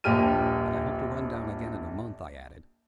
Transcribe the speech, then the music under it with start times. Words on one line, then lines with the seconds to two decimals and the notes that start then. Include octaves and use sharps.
"But I hope to run down again in a month," I added.
0.04 D#1 A#1 G2 G4 F6 D#7